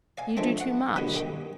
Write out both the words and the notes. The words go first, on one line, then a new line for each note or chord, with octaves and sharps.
You do too much.'
D5 F5 G#5
E3 F3 G#3 A3 C4 D4
F#5
C2 B2 D3 A#3 B4 B5
G2 D#3 G5